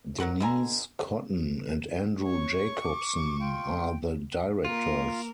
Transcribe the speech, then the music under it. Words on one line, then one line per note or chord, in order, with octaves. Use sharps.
Denise Cotton and Andrew Jacobsen are the directors.
F#3 A#4 F#5 C#6
B2 D3 G#5 A#5
C#5 C#6
D6
F4 G5
A#3 F4 A#4